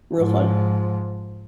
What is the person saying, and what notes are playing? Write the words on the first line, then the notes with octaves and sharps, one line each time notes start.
Real fun.
G#2 F3